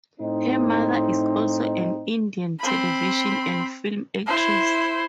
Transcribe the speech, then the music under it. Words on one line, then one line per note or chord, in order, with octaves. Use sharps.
Her mother is also an Indian television and film actress.
A2 C4 D#4
C4 B5
E4 C5